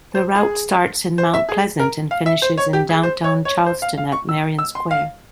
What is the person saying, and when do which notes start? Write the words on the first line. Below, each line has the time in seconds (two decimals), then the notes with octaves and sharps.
The route starts in Mount Pleasant and finishes in downtown Charleston at Marion Square.
0.15 C5
0.35 G#4
1.18 C5
1.34 E5
1.49 G#4
1.80 A#4
2.11 F5
2.26 E5
2.42 C5
2.58 C#5
2.73 G4
2.89 G#4
3.03 C5
3.24 C#5
3.45 C#5
3.66 C5
3.82 F5
3.98 F5
4.12 C#6
4.29 E6
4.59 E6
4.75 C6
4.91 F5